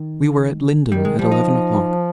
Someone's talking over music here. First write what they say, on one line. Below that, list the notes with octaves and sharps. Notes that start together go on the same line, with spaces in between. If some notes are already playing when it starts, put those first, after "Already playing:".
We were at Lyndon at eleven o'clock.
Already playing: D#3
D#3 G3
G#3
F3 G3
D#4